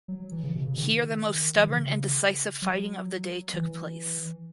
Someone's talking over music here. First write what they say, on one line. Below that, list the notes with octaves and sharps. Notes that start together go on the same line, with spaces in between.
Here the most stubborn and decisive fighting of the day took place.
F#3
E3
C#3
B2
C#3
D#3
E3
D#3
C#3
F#3
E3